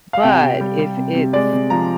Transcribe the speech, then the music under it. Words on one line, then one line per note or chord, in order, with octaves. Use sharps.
But if it's,
F5
C3 G5
C3
G3
G3
C3
C3
G#3 D5
C3
F3 A#5